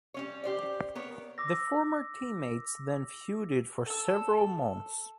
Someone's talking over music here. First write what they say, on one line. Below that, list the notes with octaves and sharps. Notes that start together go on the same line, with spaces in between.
The former teammates then feuded for several months.
G3 C#4 C#5
G4 C5 D5
B3 A#4 C#5
D6 E6 A#6
A4 E6